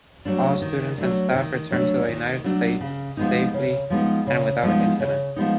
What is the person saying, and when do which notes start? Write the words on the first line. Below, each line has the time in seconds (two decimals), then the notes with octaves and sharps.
All students and staff returned to the United States safely and without incident.
0.25 F#3 A3 D4
0.62 D#3
0.98 F#3 A3 D4
1.35 D#3
1.71 F#3 A3 D4
2.08 D#3
2.44 F#3 A3 D4
2.81 C#3
3.17 F3 G#3 B3 D#4
3.54 C#3
3.90 F3 G#3 B3 D#4
4.27 C#3
4.63 F3 G#3 B3 D#4
5.00 C#3
5.36 F3 G#3 B3 D#4